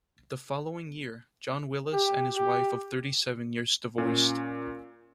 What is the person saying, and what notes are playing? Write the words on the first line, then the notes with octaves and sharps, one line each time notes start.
The following year, John Willys and his wife of thirty-seven years divorced.
G4
G4
A#2 C#4